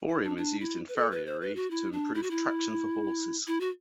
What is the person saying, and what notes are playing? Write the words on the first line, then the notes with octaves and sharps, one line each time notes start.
Borium is used in farriery to improve traction for horses.
E4
D4
D4
E4
B4
A4
B4
C5
B4
F#4
E4
D4
E4
F#4
E4
E4
F#4